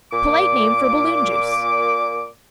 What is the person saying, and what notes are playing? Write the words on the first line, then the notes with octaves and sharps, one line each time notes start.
A polite name for balloon juice.
A#2 D6